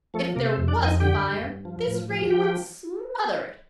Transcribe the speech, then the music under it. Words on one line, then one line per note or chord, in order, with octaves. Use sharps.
If there was a fire, this rain would smother it.
F3 A3 A4
C3 A#3 A#4
C4 C5
F2
D4 D5
F2
D#4 D#5
D3 G4 G5
G2
G2
F3
A2
F3
F3 G4 G5